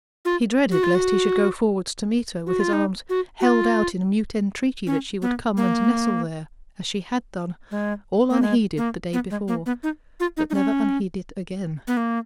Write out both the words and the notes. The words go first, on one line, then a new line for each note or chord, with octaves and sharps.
He dreaded lest he should go forwards to meet her, with his arms held out in mute entreaty that she would come and nestle there, as she had done, all unheeded, the day before, but never unheeded again.
F4
F#4
F4
F#4
F#4
F4
D#4
F#4
F#4
F4
C#4
B3
A#3
G#3
A#3
G#3
A#3
B3
G#3
A#3
B3
D#4
F4
D#4
D#4
C#4
B3
A#3